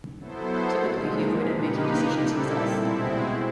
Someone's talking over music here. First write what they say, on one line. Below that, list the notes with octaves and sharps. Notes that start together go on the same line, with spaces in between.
Typically, he avoided making decisions himself...
F#3 B3 E4 A4 C5
A#2 F3 G#3
F3 A#3 D#4 G4 B4
A#2 G3 C4 E4 A4
B2 G#3 C4 E4